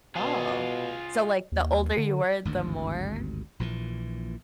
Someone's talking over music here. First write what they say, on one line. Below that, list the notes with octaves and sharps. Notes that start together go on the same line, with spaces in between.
Oh, so like, the older you were, the more
B2 F4 G#4
D#2
D3
G#1 D2 G2
A#1 A#2 D#3 E3